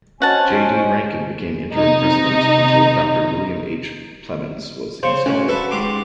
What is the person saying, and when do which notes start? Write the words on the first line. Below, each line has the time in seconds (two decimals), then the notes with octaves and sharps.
J. D. Rankin became interim president until Doctor William H. Plemmons was installed.
0.22 C#4 F#4 C5 D#5 F#5 G#5 A5
1.74 C3 D#4
5.03 C#3 C5 C#6
5.26 A2 C#4 F#4
5.48 A4 B4 E5 A5
5.71 G#2 G4 C6 D6